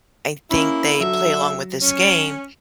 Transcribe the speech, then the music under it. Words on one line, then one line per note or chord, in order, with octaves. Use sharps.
I think they play along with this game
A#3 C#4 E4
D3 F#3 E5
C#4